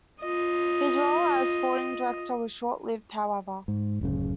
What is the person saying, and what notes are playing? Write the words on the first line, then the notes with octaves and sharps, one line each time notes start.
His role as sporting director was short-lived, however.
F4 D#5
G#2
D1 F#2 C#3